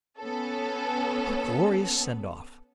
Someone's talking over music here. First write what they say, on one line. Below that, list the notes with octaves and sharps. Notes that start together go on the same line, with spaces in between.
What a glorious send- off!
B3 C#4 A4